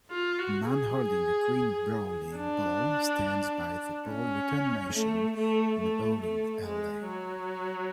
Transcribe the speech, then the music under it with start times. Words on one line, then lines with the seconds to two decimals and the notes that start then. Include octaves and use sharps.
A man holding a green bowling ball stands by the ball return machine in a bowling alley.
0.10 F4
0.39 F#4
0.68 G#4
2.38 D4
4.09 C#4
4.93 A3
5.36 A3
5.79 A3
6.21 A3
6.64 G#3
7.07 F#3